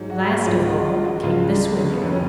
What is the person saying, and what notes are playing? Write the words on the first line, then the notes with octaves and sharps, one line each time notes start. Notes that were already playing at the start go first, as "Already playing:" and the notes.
Last of all came the swimming.
Already playing: G#2 F#3
F#4
G#4
C#2 C#3 F#3 F4
F#4
F4
F#4
C#2 C#3 F#3 F4
D4
C#4
B3
F2 D3 F#3 C#4
C#4